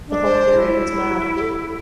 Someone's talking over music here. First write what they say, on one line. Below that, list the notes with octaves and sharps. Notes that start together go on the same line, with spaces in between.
The whole period was mad!
D4
C5
E4
G4
A4